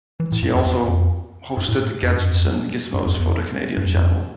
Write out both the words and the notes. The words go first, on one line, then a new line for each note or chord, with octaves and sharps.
She also hosted "Gadgets and Gizmos" for the Canadian channel.
E3
A2
G2
F2
E2
F2
G2
A2
F2
G2
F2
G2
F2
E2
F2
G2
F2